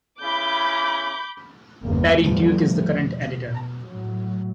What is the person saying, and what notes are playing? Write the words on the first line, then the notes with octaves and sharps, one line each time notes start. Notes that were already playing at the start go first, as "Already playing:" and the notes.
Barry Duke is the current editor.
C#3 E4 B5 D6 G6
G1 E2 C#3 A#3
E2 A2 F3 G3 A3
B2
A2 F#3